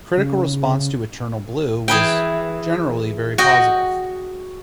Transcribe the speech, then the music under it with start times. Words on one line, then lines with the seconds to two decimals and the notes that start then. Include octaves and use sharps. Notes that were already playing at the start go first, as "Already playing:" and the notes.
Critical response to "Eternal Blue" was generally very positive.
0.17 C#3
1.88 E3 G#4 B4 G5
3.38 F#4 D#5 G5